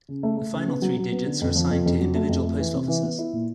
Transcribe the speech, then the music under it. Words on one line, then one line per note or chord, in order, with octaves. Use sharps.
The final three digits are assigned to individual post offices.
C#3
A3
A3
C#3
B3
F#3
F#3
B3
D3
F2
F3
F2
F2
F#3
A3
F2
A3
E3
C3
E3
B3
E4
A#2